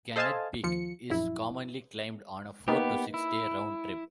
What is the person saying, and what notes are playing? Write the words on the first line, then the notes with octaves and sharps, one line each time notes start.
Gannett Peak is commonly climbed on a four- to six-day round-trip.
A4 C5 D#5 F5 G#5 A5
D#2 F3 C#7
A#1 F#2 E4
A#3 B3 D#4 G4 B4
E4